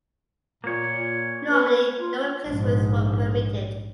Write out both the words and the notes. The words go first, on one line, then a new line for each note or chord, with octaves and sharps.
Normally no replacements were permitted.
A#2 A#3 C#5
A#2
B4
F4
A#1 G#2